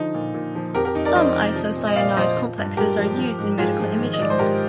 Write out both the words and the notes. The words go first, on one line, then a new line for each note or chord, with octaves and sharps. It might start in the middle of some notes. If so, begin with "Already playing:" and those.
Some isocyanide complexes are used in medical imaging.
Already playing: D3 F3 D#4
A#2
A#2
F3
F2 G4 A#4
G4 A#4
F2 D#4
A#4 D5
F3 C5 D#5
C3
F3
A#2
D#5
A#2 D5 F5
F3 C5 D#5
F3
G2
G2 G4 A#4
F3
F3
G#2
G#2 F4 G#4
F3
D#3
D#5
G#2 D5
C5
G#2 G4 A#4